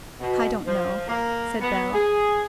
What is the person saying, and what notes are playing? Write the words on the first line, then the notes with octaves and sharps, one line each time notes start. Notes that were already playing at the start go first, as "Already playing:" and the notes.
"I don't know," said Bell.
B2
F3
A#3
B3
G#4